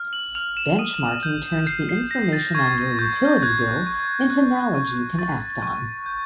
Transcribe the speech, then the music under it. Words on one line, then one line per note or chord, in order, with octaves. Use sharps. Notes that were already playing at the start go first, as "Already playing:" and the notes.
Benchmarking turns the information on your utility bill into knowledge you can act on.
Already playing: F6
F#7
F6 F7
E7
D#6 D#7
G6
G6 C7
C7
G6 A#6
A6
C#6 G#6
C#6 G6
F#6 G#6
C#6
F#6
C#6
C#6 A6
C#6
G6